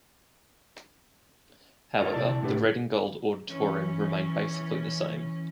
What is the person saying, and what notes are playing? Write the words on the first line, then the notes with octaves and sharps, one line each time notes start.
However, the red and gold auditorium remained basically the same.
F4 F#4 A4 A#4 C#5 D#5
C3 E4 D5 A5
A2 D3 G4 B4
E3 C#4